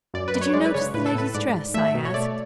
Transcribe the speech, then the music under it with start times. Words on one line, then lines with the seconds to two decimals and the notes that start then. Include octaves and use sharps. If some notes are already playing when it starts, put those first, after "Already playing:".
"Did you notice the lady's dress?" I asked.
0.14 F#2 D5
0.28 B4
0.34 F#2
0.41 C#5
0.54 G#3 D5
0.66 B4
0.74 C#3 C#5
0.94 A2 B4
1.06 A4
1.15 A2 B4
1.34 G#2 D5
1.54 G#2
1.74 A3 E5
1.95 B2
2.05 C#5
2.14 A3 D5